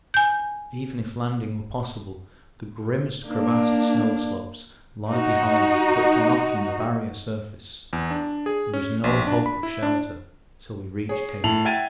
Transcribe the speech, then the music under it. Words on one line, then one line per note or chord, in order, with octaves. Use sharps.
Even if landing were possible, the grimmest crevassed snow slopes lie behind to cut one off from the Barrier surface; there is no hope of shelter till we reach Cape Royds.
G#5 G6
A#3 D4
D#4 F#4
E2
D4
G#4
C#4
A#1
D4
B5
E4
D4
G#4 C#5
A2 E5 A5 F7 F#7
E5 F#5 G5 G#6 A6 D#7